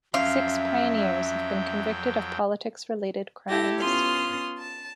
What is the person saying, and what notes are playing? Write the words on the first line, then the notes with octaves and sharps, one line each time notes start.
Six Pioneers have been convicted of politics-related crimes.
F2 F#3 C#4 E5 F5 G5 C6
E4 G4 A4 A#6
B3 C#4 F4 C6 D#6 F6
A5